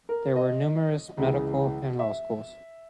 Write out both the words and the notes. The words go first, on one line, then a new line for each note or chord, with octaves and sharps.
There were numerous medical and law schools.
A#4
D#5
C#2 C#3 E3
E5